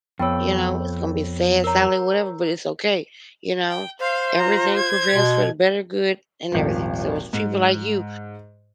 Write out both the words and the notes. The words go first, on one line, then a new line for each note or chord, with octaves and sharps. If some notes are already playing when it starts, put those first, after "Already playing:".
you know? It's gonna be sad, sadly, whatever, but it's okay, you know? Everything prevails for the better good, and everything, so, it's people like you
F2 B3 C#5 G5 B5 E6
A#4 C#5 A#5 E6
G5
C5 F5
F4 A#5
G#6
B2 C6
D#1 G#1 F3
G#2